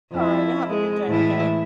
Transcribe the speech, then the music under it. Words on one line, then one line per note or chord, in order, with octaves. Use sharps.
Alright. Have a good day, okay?
F2 E4
G#3
A2 E3 E4